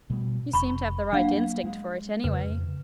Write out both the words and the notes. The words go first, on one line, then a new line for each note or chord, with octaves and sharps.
"You seem to have the right instinct for it, anyway."
B2 G3 A3
F1 B5 C#6
F#3 A#3 D4 F5 F#5
G#3
F2 C#3 B4